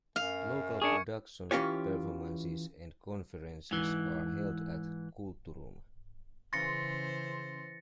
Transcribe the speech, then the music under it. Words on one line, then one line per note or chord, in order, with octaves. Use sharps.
Local productions, performances and conferences are held at "Kulturum".
F#2 F5
F#2 D4 G#4 C#6 G#6 C#7
E3 C#4 F4 G4 C#5
G#2 E3
C#3 E3 C5 C6 A6 A#6 C#7